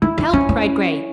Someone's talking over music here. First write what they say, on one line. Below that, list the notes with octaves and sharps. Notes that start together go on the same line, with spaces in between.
"Help!" cried Grace.
D#4 E4
D#4
C4 C#4
C4